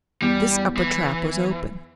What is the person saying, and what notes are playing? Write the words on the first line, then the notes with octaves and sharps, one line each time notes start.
This upper trap was open.
E2 G3
E3